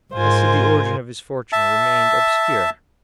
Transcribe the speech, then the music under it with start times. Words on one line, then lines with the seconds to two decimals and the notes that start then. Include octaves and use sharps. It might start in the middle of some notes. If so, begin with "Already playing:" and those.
I said the origin of his fortune remained obscure.
0.13 G#2 F4 A#4 C5 G#5
1.52 E5 A5